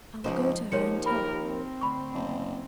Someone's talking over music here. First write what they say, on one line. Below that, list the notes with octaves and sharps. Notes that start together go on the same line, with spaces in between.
'I will go to her, and tell her.
C#2 F3 D#4 C5
D#2 F3 A#3 C#5 C#7
G4 A#4 B5
C4
D2 B5 C#6
F#1